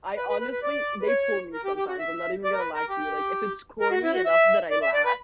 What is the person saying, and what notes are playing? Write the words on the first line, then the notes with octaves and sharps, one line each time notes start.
I, honestly they pull me sometimes. I'm not even gonna lie to you. Like, if it's corny enough that I laugh,
B4
B4
B4
B4
D5
B4
C#5
A#4
G4
G4
F#4
E5
D5
A#4
B4
A#4
G4
A#4
F#4
E4
F#4
E5
D5
E5
D5
B4